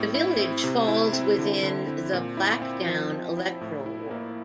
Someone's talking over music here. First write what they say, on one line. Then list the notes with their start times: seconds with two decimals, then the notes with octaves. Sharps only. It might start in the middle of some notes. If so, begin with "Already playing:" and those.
The village falls within the 'Blackdown' electoral ward.
Already playing: A2 C4
0.15 E4
0.39 C4
0.64 C3
0.88 E4
1.13 C4
1.38 D3
1.63 D3
1.88 C4
2.13 A#2
2.37 E4
2.62 C4
2.87 F3
3.12 F3
3.37 E4
3.61 A2
3.86 E4
4.11 A#3